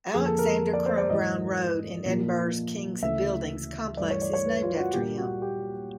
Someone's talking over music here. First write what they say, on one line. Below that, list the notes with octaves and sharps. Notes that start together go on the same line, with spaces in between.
Alexander Crum Brown Road in Edinburgh's King's Buildings complex is named after him.
F2 D3 F3 A#3 G#4
A4
A#4
D5
C5
D5
G#2 E3 G#3 D#5
A#2 F3 A#3
D2 C#3 E3 A3 E5
G2 E3 A3 D5
C#5
D5
C#5
B4
F4
F#4
A#2 G3 A#3 G4
F#4
G4